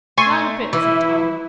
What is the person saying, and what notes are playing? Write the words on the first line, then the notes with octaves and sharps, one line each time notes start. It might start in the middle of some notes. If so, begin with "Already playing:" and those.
"Not a bit," said Tom.
A3 G#5 C6 C#6
E3 E4